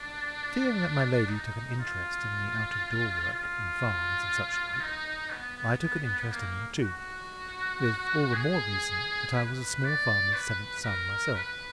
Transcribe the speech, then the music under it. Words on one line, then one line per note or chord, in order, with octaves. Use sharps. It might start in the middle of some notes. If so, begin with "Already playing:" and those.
Seeing that my lady took an interest in the out-of-door work, and the farms, and such like, I took an interest in them too--with all the more reason that I was a small farmer's seventh son myself.
Already playing: D4
D#4
F4
F4
D#4
B3
A#3
F#4
G#4
B4
D5
B4
A#4
B4